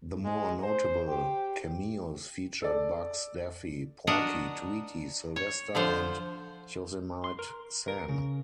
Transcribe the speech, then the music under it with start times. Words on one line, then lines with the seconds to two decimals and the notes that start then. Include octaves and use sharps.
The more notable cameos featured Bugs, Daffy, Porky, Tweety, Sylvester and Yosemite Sam.
0.25 G#3
0.63 C5
1.08 G4
2.62 A4 D5
4.07 D4 F#4 A#4 D#5
5.36 C#5
5.75 D3 F3 C5
7.24 C6
7.39 A#4
7.88 A#4
8.09 C#3